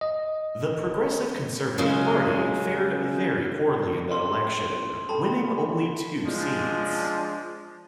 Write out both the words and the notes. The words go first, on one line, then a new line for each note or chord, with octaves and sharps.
The Progressive Conservative Party fared very poorly in that election, winning only two seats.
D#5
C#3 F#3 G#3 C#4
C6
A4 G5 A5 B5
F3 G#3 D4